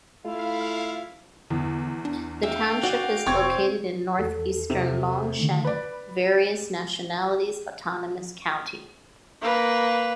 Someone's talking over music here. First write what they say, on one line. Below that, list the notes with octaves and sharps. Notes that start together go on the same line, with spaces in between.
The township is located in northeastern Longsheng Various Nationalities Autonomous County.
A3 E4 F4 F5
E2 D3
D4
E5 F5 G5
F#4 D5
F1 C4 C#6 G#6
E2 A4
C3
D3 D#3 A3
B4 D5 B5
A#3 B4